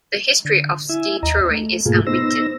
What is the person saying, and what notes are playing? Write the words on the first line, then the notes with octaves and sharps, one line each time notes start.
The history of ski touring is unwritten.
D3
E4 E5 G#5
D#2 D#5 A#5
A3
G#2 B2 A3 A#3 F4 G#4
B3 D#4 C5 E6 A#6